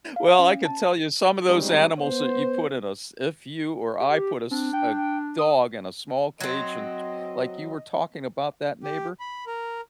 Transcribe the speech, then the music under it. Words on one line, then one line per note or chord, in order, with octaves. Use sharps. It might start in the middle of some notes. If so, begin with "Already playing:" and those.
Well, I could tell you some of those animals that you put in a s if you or I put a s a dog in a small cage and to like, you were talking about that neighbor,
F5
C#4
A5
G3 G#3 C4 C#4 D#4
B3 C5
G4
C4 D4
G5
D#6
F#3 C4 D#5
G4
B5
A#4